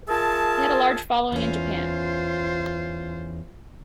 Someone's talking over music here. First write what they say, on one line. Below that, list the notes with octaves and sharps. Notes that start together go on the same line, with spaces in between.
He had a large following in Japan.
F4 G#4 A#4 E5 G#5 A5
E2 C#4 F4 C5